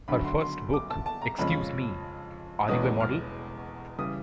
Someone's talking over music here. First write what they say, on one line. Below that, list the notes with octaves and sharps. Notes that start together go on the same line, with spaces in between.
Her first book, Excuse Me, Are You A Model?
D2 D3 F#3 B5
C6
C6
D6
A5
A5
A#5
F2 C#3 F3 G#3 C#4 B5
E1 E2 B2 G#3 C#4 D#6
F6
C#3 E3 G3 D#6